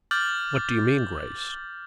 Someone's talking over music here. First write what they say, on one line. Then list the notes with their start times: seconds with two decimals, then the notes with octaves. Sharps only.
"What do you mean, Grace?"
0.11 D6 F6 G6 A6 F#7